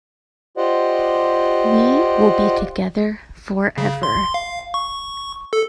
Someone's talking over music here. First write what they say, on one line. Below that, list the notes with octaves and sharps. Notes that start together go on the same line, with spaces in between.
We will be together forever.
F4 G4 C5 D5 D#5 F#5
C#3
C6
F5
C#6
A4